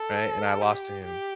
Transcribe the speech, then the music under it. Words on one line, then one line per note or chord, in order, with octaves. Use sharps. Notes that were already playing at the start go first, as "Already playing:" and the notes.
Right? And I lost to him.
Already playing: A4
G4
G4